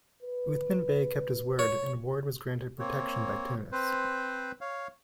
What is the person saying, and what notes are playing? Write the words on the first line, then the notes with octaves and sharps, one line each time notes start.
Uthman Bey kept his word and Ward was granted protection by Tunis.
B4
C#5
A#3 C4 C#5
C4 B4 C5
C#5 F5